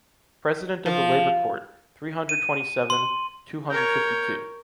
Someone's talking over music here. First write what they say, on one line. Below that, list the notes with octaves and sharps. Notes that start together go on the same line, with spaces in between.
President of the Labor Court, three hundred twenty seven, two hundred fifty two.
F3
D#7
C6
A#4 C#5 G6